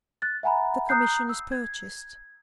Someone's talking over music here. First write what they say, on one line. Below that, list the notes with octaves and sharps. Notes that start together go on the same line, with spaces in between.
The commission is purchased.
F#6 A6
E5 F#5 G#5 A#5 B5
A#5 D#6 F#6 G6 C7
E6
G#6